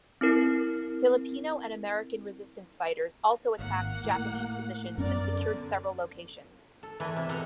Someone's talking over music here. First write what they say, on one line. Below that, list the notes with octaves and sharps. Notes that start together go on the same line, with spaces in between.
Filipino and American resistance fighters also attacked Japanese positions and secured several locations.
C4 E4 A#4
G#1 A#3 F#5
A2
F#2 B3 C#4 A#4 D5
D3
A4
E2 E3 A4 B4 D#5 G#5
C3
B2 A4 F#5 A#5